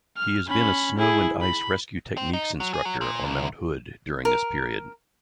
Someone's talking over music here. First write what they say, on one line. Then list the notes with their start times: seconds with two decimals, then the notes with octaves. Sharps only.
He has been a snow-and-ice rescue techniques instructor on Mount Hood during this period.
0.17 F6
0.48 C#4 B5
0.98 E4 G#4
1.41 B5
2.17 C4
2.33 D#4
2.60 F#3
2.74 G#4
2.85 F#3
3.01 A#2
3.24 C2
4.25 A#4